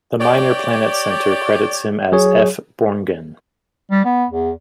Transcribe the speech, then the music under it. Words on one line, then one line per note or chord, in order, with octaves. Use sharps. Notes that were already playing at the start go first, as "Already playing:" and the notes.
The Minor Planet Center credits him as F. Borngen.
G4 C#5 D5
F#3 G#4 C#5
G3
B3
E2